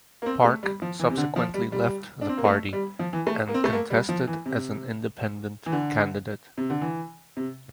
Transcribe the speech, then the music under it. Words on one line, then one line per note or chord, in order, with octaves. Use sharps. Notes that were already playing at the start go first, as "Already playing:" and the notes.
Park subsequently left the party and contested as an independent candidate.
A#3
C4
A3
G3
F3
E3
C3
D3
F3
G3
G3
D4
C4
A#3
A3
G3
F3
E3
A3
A#3
C4
A3
A#3
G3
F3
E3
C3
E3
D3
C3
D3
E3
C3